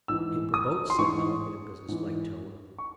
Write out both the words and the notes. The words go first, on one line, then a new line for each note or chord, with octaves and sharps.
"Paper boats," said Melick, in a business-like tone.
G#2 E3 E6
D#6
C6
G#2 E3 C#6
G#2 E3
C#6